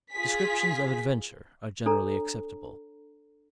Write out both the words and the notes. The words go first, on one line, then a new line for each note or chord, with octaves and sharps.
Descriptions of adventure are generally acceptable.
F4 G#4 B6
D4 A4 C#5 A#5